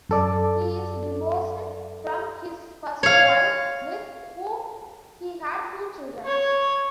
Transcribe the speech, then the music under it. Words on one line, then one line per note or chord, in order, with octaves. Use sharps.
He is divorced from his first wife, with whom he had two children.
F#2 A4 D5
C#5 F5
C#5